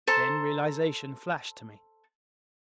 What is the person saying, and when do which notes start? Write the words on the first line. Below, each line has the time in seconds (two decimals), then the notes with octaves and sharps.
Then realization flashed to me.
0.07 A4 C5 A5 A#5